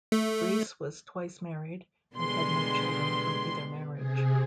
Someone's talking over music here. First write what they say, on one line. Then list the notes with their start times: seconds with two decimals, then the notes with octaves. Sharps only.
Breese was twice married, and had no children from either marriage.
0.12 A3
2.16 B2 D3 G3 G#3 B3 C6
3.93 C3 G#4